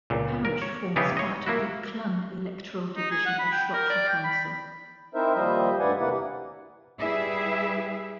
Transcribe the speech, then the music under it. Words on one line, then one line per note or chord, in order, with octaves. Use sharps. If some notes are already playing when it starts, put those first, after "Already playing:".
The parish forms part of the Clun electoral division of Shropshire Council.
C#2 A#2
A#4
C#5
C#3 E3 B3 D#4 G4 G#4
C#5 D#5
A#3 E4 F#4
D#4
G#4
F#5
B5
G5
A#4
D5
G5
B5
C4 D#4 E4 A#4 C5 E5
D#2 F3 G3 C5 D#5 E5
D2 G2 B4 D5 F#5 G#5
D#2 C3 A#3 E4 B4 F#5
G3 E4 G#4 B4 E5